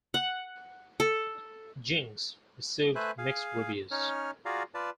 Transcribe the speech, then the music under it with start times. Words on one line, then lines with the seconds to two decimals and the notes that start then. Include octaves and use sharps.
"Jinx" received mixed reviews.
0.14 F#5
1.00 A4
2.95 A3 B4 C5 E5 G#5 F#6
3.18 G#4 F5
3.91 C#4 D#4 C#5 F6
4.45 F4 F#4 G#4 D5 F5 A#5
4.74 F4 B4 D5 A5